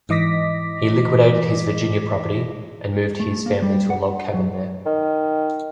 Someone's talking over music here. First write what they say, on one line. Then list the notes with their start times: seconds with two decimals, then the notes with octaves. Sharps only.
He liquidated his Virginia property, and moved his family to a log cabin there.
0.09 G#2 E3 D#5 D6 A#6 B6
3.20 A3
3.46 A#3
3.62 G3
3.90 F#5
4.34 F#3
4.86 D#3